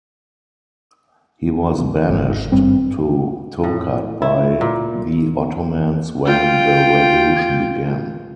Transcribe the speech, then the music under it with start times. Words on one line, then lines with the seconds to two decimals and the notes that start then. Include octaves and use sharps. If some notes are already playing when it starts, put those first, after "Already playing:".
He was banished to Tokat by the Ottomans when the Revolution began.
2.09 G1 G#2
2.52 G#1 G2 G3 C4
3.64 A2
4.22 E4
4.61 A#2
6.25 F4 G5